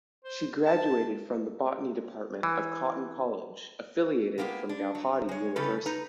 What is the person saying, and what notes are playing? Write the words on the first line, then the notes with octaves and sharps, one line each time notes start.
She graduated from the Botany Department of Cotton College affiliated from Gauhati University.
C5
A5
E3
G#3 A#3 B3 D4 G4
D4
F#3
G#3 C#5
C#3 G3 C#4 E4 A4 B4
D#4 B4 A#5